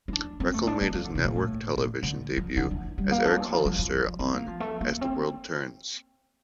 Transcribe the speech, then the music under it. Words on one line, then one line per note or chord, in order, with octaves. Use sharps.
Reckell made his network-television debut as Eric Hollister on "As the World Turns".
E4
D4
C4
A3
D4
D4
F3
D3
C3
A#2
A2
A#2
D3
F3
D3
E3
G3
A#3
D4
E3
F3
F3
F3
C4
A#3
F3
A3
A#3
C4